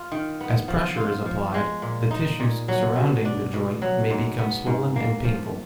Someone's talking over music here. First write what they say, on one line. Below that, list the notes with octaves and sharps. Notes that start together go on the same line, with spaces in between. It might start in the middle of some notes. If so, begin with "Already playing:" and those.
As pressure is applied, the tissues surrounding the joint may become swollen and painful.
Already playing: F4
D#3
B3
F3
F4
F3
G#3
A#2
D#4
A#2
F#3
B2
D4
B2
F#3
G#2
B3
G#2
A#3
F3